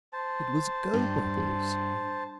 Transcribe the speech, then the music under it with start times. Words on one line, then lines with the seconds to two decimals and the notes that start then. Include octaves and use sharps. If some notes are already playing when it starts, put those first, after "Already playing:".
"It was Gobobbles."
0.13 C5 A5
0.94 G2